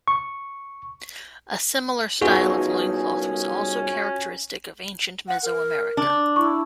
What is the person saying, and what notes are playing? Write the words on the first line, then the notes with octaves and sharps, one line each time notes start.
A similar style of loincloth was also characteristic of ancient Meso-America.
C#6
C2 B3 C#4 D#4 F4 F#4 G#4
F#5
A#4
D4
E4 C#6